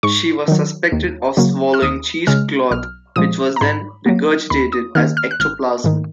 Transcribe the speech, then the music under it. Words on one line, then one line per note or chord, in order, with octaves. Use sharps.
She was suspected of swallowing cheesecloth which was then regurgitated as "ectoplasm".
G#2 C#6
D#3 F#3
D#2
C#3 F#3 A#3
F6
D#2 D#6
C#3 G#3 F6
B1 F6
A#2 F3 G#3 D#6
A#5
G#2 B5
F#3 A#3
D#2 B5
D#6
D#3 A#3 F6
F6
F#6
G#1 F6
G#2 D#3